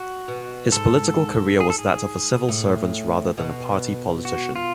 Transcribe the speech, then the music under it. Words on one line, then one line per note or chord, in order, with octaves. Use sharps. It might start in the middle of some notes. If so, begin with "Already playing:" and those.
His political career was that of a civil servant rather than a party politician.
Already playing: F#4
B2
G#2 A4
G#4
A4
G#4
A2
B2
F#4
F4